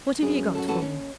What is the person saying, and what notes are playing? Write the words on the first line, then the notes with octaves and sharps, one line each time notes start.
What have you got for me?'
F#2 G#4
F#4 A4
E3 F#4 A4
D#2 C#4